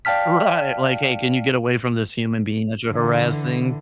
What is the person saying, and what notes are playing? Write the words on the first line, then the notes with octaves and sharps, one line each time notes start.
Right, like, "Hey, can you get away from this human being that you're harassing?"
D5 F5 G5 A5 F6 B6
D3 E3